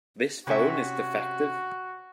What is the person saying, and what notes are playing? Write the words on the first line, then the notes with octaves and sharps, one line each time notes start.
This phone is defective.
C3 C#4 F#4 E5